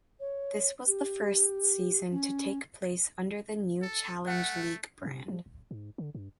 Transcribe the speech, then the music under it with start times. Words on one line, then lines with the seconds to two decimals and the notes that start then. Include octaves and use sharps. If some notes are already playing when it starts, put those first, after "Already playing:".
This was the first season to take place under the new Challenge League brand.
0.20 C#5
0.87 G4
2.11 C#4
3.82 A4
4.27 A3 F#5
5.05 C3
5.28 F3
5.46 D1
5.71 G#2
5.98 D3
6.15 G2